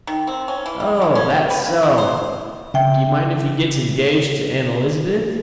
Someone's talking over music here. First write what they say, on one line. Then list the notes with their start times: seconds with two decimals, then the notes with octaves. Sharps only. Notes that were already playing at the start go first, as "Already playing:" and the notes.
"Oh--that's so! Do you mind if he gets engaged to Aunt Elizabeth?"
0.07 D#3
0.27 C4
0.48 C#4
0.66 E3
0.80 G3
1.02 E3
1.15 C#4
1.30 G5
1.50 B4
1.66 A#3
1.83 E4
1.98 C5
2.74 C#3 E5 G5